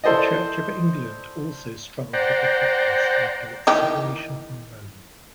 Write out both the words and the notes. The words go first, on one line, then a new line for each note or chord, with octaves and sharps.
The Church of England also struggled with the practice after its separation from Rome.
E4 A4 C5 D5 D#5
C5 D5 F#5 G5 A#5
D#3 E3 G4